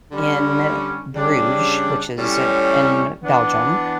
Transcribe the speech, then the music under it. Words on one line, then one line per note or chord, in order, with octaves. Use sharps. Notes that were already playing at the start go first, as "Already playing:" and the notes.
in Bruges, which is, eh in Belgium,
D3 G3 C#4
C#3 G3 D4
A2 G3 C#4
E3 B3 D4